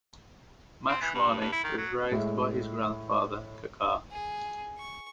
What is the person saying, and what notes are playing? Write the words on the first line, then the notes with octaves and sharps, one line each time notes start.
Mashwani was raised by his grandfather Kakar.
C4
E3
G2
G2
E4
D#3
F#3
A2 G#3 E5
G#4
C#6